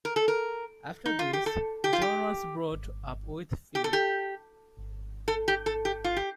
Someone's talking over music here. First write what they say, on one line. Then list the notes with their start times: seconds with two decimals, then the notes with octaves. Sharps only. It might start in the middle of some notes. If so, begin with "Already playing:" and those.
After this, Joan was brought up with Philip.
0.05 A#4
0.16 A4
0.28 A#4
1.06 D#4
1.19 F4
1.33 G4
1.46 A4
1.84 G4
1.93 F4
2.02 G4
3.75 G4
3.84 A4
3.93 G4
5.28 A4
5.48 G4
5.66 A4
5.85 G4
6.04 F4
6.17 G4